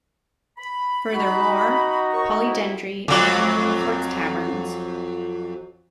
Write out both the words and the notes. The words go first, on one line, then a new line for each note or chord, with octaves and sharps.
Furthermore, Polydendri is known for its taverns.
B5
D#4 F#4
D#2 C#6
F2 E4
F2 F#3